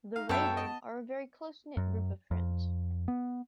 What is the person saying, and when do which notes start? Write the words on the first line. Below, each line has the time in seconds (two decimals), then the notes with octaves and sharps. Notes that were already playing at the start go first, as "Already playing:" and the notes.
The Raven are a very close knit group of friends.
0.16 D#4 F5
0.29 B1 F#2 B3 A4 C#5 E5 G5 A5
0.57 D#5
1.77 F#2
2.31 F2
3.08 B3